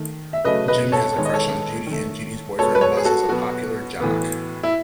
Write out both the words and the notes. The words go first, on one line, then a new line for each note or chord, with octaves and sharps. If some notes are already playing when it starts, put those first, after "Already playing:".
Jim has a crush on Judy and Judy's boyfriend Buzz is a popular jock.
Already playing: D#3 A3
E5
C#3 F#3 A3 B4 D#5
B4 D#5
A4 C#5
D#3 G#3 B3 C#5
D#5
A4 C#5
D#3
A3
B2 G#3 B3 A4 C#5
B4
A4 C#5
G#4
F#4 A4
B2 F#3 B3 F#4
A2 E3 B3
E4